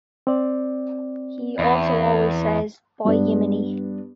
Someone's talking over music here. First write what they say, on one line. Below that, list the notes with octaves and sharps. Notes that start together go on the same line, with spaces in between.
He also always says 'By Yiminy!'.
C4 D5
E2
G2 B3 D4